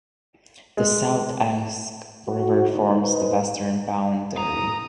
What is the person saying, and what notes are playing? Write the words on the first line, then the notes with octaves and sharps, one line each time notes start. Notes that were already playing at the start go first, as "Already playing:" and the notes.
The South Esk River forms the western boundary.
G#3
F#4
A#2 D3 A3 D#4
D#4 B4 C5
A#5 D#6